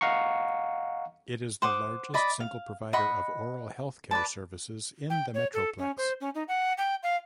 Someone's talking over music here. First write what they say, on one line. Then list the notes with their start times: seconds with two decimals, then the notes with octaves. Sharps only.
It is the largest single provider of oral health care services in the Metroplex.
0.01 D#5 F5 F#5 A#5 C#6
1.62 C5 F#5 D6 D#6
2.14 D5 D#5 B5
2.40 F5
2.93 D#5 F#5 B5 C#6
4.11 B4 D5 A5
5.10 G5
5.34 C#5
5.53 A4
5.78 C#4
5.97 C5
6.21 C#4
6.35 D#4
6.48 F#5
6.78 G5
7.03 F5